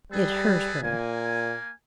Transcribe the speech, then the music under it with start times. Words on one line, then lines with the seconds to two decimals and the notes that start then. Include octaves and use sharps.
It hurt her.
0.11 G3 G#4 A4 B4
0.82 A#2 A#3 G#5